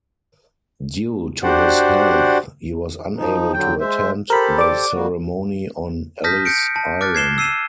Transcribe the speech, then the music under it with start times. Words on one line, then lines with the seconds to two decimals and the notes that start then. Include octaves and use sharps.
Due to his health, he was unable to attend the ceremony on Ellis Island.
1.43 D4 F#4 G4 C5 D5 F#5
3.17 F3 D#4
3.53 D3 F#3 G5
3.80 G#3 C5 E5
4.30 G4 A4 A#4 C5 B5
4.58 D5 D6
4.93 G3 A#3 F#4
6.24 A5 D#6 F6 G6 A#6 B6
6.45 G6 C#7 D7
6.76 A5
7.01 D6 F6 F#6 A6
7.15 G#6 C7 E7 G7
7.38 E6 C7 D#7 E7